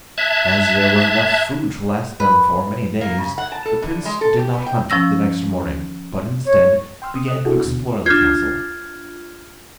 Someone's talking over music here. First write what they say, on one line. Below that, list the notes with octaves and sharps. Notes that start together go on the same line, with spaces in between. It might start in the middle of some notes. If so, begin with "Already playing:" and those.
As there was enough food to last them for many days, the prince did not hunt the next morning, but, instead, began to explore the castle.
E5 A5 F#6 G#6
B4
A#3
C#3
F#5
A5
A4
D3
G#3
A4
G4
B3
G5
F3 C#4 E6 A#6
C#5
G5 C6 E6 F6
D#6
A4 D#5 D#6 F#6
D4 E4 F#4 G#4 A4
D#2 B2 D3
D4 F4 F6 G6 G#6